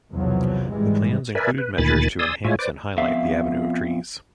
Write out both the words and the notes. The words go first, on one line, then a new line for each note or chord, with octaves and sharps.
The plans included measures to enhance and highlight the avenue of trees.
B1 E2 C3 F3 F#3
G#1 G#2 E3 G3 G#3
A#4 B4 D5 E5 G#5
B4
D2 A#2 D#3 G#5 B5 A6
D5 G#5 C6 D#6 E6
A2 G#3 F4 C#5 E5 G#5
B4 C5 D5 D6
F2 B3 E5 F5